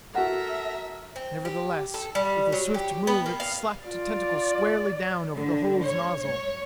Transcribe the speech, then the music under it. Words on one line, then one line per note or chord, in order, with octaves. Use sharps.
Nevertheless with a swift move it slapped a tentacle squarely down over the hose nozzle.
F#4 A4 A#4 E5 F#5 A#5
C4
G4
A4
G3
F#3
G4
B3
A#3
F5
F4 D5
D3
C#5
C#5